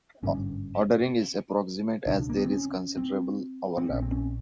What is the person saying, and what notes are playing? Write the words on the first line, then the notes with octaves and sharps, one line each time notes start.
Ordering is approximate, as there is considerable overlap.
G#1 G2 D3 C#4
C#2 B2 D4
A#3
B3
C4
C#4
C4
C4
A#1 A#2 C#4
C4
C#4